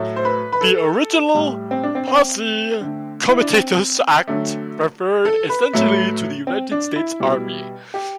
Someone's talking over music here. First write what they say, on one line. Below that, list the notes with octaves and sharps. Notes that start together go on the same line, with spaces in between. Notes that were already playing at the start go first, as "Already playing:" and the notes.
The original Posse Comitatus Act referred essentially to the United States Army.
Already playing: A2 F#3 A3
C5
B4
B4
A4
A2 G3
C4
D4
C4
C4
D3 A3
E4
D4
C4
D3 F#3 A3
A4
B4
A2 F#3 A3
C4
D4
E4
B2 G3
G4